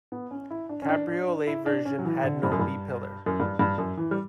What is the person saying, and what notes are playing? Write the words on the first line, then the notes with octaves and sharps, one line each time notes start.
Cabriolet version had no B-pillar.
B3
C#4
E4
D4
C#4
D4
D4
D4
E4
D4
C#4
F#3
E3
D3
G2
F#2
G2
F#2
G2
G2
F#2
E3
G3